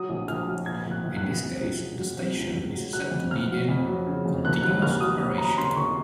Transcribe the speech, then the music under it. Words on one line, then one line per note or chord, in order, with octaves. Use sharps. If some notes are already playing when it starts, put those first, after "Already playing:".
In this case the station is said to be in "continuous operation".
Already playing: F#3 D#6
A#1
A#1 F6
F#3
A#2 G#6
A#1
F#6
A#1
F#6
A#2
C3
C#2
F#3
F#3
C3
C#2
C#2
F#3
F#3 F#6
F2
F2 F6
F#3
F2
F#3
C#3
F2
D#2 F#6
F#3 F#6
D#2 F6
F#3 D#6
F#3
F#3 A#5
C#3 C6
D#2 C#6